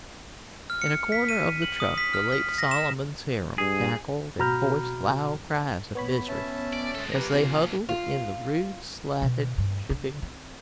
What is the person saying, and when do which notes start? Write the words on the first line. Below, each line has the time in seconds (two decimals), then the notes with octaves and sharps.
In a corner of the truck, the late Solomon's harem cackled and voiced loud cries of misery as they huddled in the rude, slatted shipping coop.
0.70 F6
0.82 C#7
1.12 B6
1.29 D#7
1.62 F#7
1.80 D#6
1.98 B6
2.14 F6
2.33 B6
2.58 A#6
2.71 E7
3.58 G2 G#4
4.39 B2 F#4 A#5 B5 F6 G6
5.95 B3 C#5 B5
6.28 C#4 E5 A5
6.73 D5
6.95 G#3 A4
7.14 F3 A#3 G4 B4 G#5 A#5
7.34 C3 F4 G#5
7.89 F4
9.22 B2
9.58 G2
9.90 D3
10.22 C4